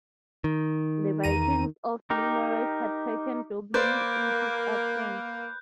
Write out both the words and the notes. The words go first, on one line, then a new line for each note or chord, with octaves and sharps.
The Vikings of Limerick had taken Dublin in his absence.
D#3
E2 A#5 D#7
D#4 G4 A#4
A#3 B4 C5 D5 F#6 G6